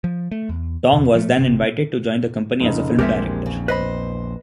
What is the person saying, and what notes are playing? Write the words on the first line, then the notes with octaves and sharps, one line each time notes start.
Tong was then invited to join the company as a film director.
F3
A3
E2
E2 C3
F3 G#3 A3
G1 C3 C4
F1 C#3 D#4
A#1 E2 G#3 C4 G4 A#4 E5
C#3
B4 C5 D#5 B5